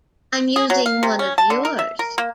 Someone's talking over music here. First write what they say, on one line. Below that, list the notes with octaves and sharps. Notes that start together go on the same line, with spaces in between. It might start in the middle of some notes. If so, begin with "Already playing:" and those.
I'm using one of yours.
G#4
F#3
F5
C3
C#4
A5
D3
A#4
E5
A#4
A#3